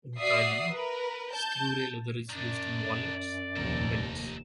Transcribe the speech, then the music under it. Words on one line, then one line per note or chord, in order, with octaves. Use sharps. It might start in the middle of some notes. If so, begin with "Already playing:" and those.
In Thailand, stingray leather is used in wallets and belts.
F#4 D5 E5 D#6 C7
A#4 B4
A5 G6
F#2 D#3 D4 D5
F1 D#2 A#3 D#4 A4